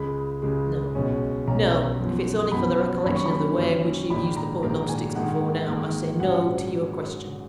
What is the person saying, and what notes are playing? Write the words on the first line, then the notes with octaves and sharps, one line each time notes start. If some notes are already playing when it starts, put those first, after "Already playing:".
No! no! if it's only for the recollection of the way in which you've used the poor knobsticks before now, I say No! to your question.
Already playing: C#2 C#3 G#3 B5
C#2 C#3 G#3
B1 B2 G#3 C#4
B1 B2 G#3 C#4 A#5
F#2 F3 B3
F#2 F3 B3 B5
F#2 D#3 A#3 C#4 B5
C#6
B5
F#2 D#3 A#3 C#4
A#1 G#2 D#3 A#3 B5
A#5
A#1 G#2 D#3 A#3 A#5
G#5
G#2 D#3 A#3 F#5
G#2 D#3 A#3
A#1 G#2 F#3 C#4 F#5